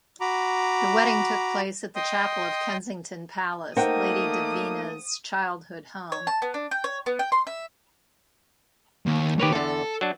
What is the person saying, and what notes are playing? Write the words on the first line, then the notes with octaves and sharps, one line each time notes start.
The wedding took place at the chapel of Kensington Palace, Lady Davina's childhood home.
F#4 A#5 B5 D6
D#5 G5 C6 D#6
A3 A#3 D#4 A#4 C5 F#5 G5 D#6
C#5
A5
B3
D4
G5
C#5
B3
G5
C6
E5
D#2
D#3 A#3 G4 B4 C#5
E2 D3 A4
F#3 D4